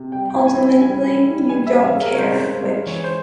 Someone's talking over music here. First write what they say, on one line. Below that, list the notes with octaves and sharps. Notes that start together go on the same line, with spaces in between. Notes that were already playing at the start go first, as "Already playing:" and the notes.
Ultimately, you don't care which.
Already playing: C3
G3 G5
E4 G5
G#5
E4
G3 G#5
E4
G3
E4 G#5
E5
C#4
F5
G#3
A#4
C#5
G#3 C5
C#4
G#3
E3 C#5
C5